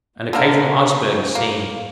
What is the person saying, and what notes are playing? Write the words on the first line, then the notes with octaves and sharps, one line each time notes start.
An occasional iceberg is seen.
D3 A#3 A#4
A#3